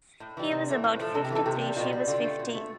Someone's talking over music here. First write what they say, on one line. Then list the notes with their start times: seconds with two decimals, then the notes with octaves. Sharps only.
He was about fifty-three; she was fifteen.
0.20 A2
0.37 E3 G3
0.51 C3
0.68 E3 A3
0.84 A2
0.99 F3 A3
1.14 C3 A4
1.25 G4
1.30 E3 A3 A4
1.46 C3 G4
1.61 G3
1.76 B2 F4
1.93 G3
2.08 D3 F4
2.24 A3
2.39 B2
2.54 A3